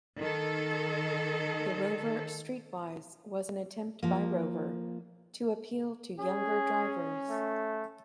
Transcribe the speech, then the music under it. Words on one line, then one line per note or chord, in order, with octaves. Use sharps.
The Rover Streetwise was an attempt by Rover to appeal to younger drivers.
D#3 A4
F3 A#3
C#4 G#4
A3